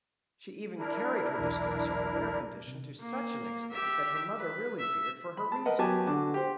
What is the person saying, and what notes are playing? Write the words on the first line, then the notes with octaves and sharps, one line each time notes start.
She even carried her distress over their condition to such an extent that her mother really feared for her reason.
D4 E4 A#4
B1 E2
C3
A#3
G4 E5
B4
E5
B5
A5
A#4 B4 D#5 F#5
F#3 B3 G4 G#5 A5 D6
D3 F#4 A5 D6
G4 C5